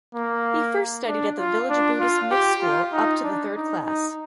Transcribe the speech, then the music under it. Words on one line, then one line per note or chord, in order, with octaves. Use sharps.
He first studied at the village Buddhist mixed school up to the third class.
A#3
D4
F4
D4
F4
G4
F4
D#4
D4
D#4
D#4